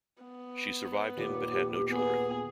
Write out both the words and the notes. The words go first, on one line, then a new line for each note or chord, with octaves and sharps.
She survived him but had no children.
B3
D#2 A#2 G4
B3 G#4